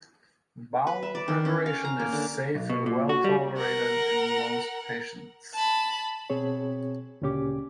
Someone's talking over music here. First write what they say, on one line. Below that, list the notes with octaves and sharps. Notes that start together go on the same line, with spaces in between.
Bowel preparation is safe and well-tolerated in most patients.
B4
E5
D5
D#3
C#4
F5
A#5
A#3
D3
B1
B2
A#2
F#4
G3
A#4 F#5
A5 B5
B2 C4 G#4 C#5
D2 A#2 C#3 C#4 G4 D6